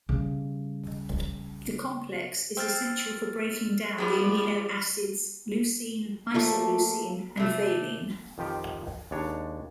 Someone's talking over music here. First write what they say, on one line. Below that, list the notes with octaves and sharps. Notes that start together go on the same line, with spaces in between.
The complex is essential for breaking down the amino acids leucine, isoleucine, and valine.
C#3 G3
C4 E6 F6 A6
D#3 F3 G3 B3 G#4
F3 A3 A#3
C3 A3
F2 D#3 F3 G4
D#2 G#3 D4 C#5